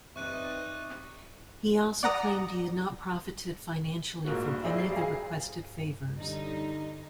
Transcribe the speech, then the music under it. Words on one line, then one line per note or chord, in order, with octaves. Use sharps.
He also claimed he had not profited financially from any of the requested favors.
C4 D#4 B4 D5 E5 C#6 F#6 D#7
D5 F#5 A#5 D#6
A#1 G#2 A#3 F4 F#4
G2
E4 F4 G#4 C5 D5 D#5
F#3 G3 C7
G#4 F5
D3 G3 D#4